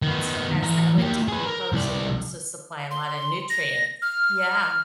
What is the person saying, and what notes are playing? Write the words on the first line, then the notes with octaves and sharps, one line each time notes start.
and so as that would decompose it would also supply a lotta nutrients. Yeah.
D#3 B3
E3 A#5
A#3 G4
G#4 B4
A#4
C2 D5
C6
A#6
F6